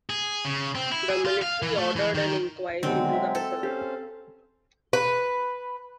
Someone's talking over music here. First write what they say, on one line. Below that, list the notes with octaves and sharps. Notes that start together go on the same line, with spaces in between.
The Military ordered an inquiry into the vessel.
G#4
C#3
C4
E4
G#4
F4
F5
E3
A3
E3
D#3
B2 D3 D#3 F#3 G#3 C4
E5
A4
C#4 G4 C5 F5
B4